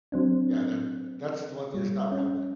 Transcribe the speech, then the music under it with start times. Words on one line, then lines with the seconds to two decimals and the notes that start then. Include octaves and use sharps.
Yeah, that that's the one thing that's not rambling.
0.12 F#3 C4 D4
1.74 G3
2.12 C#4